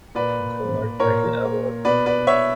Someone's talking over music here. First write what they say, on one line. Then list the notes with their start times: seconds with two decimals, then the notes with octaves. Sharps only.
Gold Medal Award.
0.15 A#2 B4 D5
1.00 A#2 A#4 C#5
1.85 B2 B4 D5
2.06 B4 D5
2.27 C#5 E5